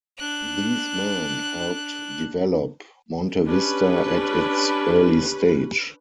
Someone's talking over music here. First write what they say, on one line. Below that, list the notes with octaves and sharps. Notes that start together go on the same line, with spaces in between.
These men helped develop Montevista at its early stage.
D4 F#6
C#4 D4 G4 B4